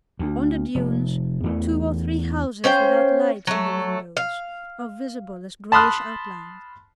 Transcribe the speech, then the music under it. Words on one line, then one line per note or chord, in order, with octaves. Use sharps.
On the dunes two or three houses without lights in the windows are visible as greyish outlines.
D2
F1
E2 E3 A3
C#4 C5 F5 G5
F#3 A3
F5
A5 B5 C6 D#6 F6 F#6